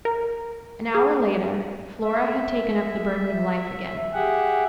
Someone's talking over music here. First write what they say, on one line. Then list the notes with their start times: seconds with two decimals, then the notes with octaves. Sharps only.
An hour later Flora had taken up the burden of Life again.
0.05 A#4
0.95 G#4
2.04 E5
4.14 G4 G#4 E5 F#5